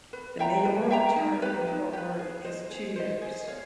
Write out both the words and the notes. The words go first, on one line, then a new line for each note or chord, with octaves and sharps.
The mayoral term in Fort Worth is two years.
B4
E5 G5 A#5
B4
E5 G5 A#5
D#4
G4 B4
D#4
G4
B4
G#4
C5 D#5
G#4
C5 D#5
G#4
C#5 F5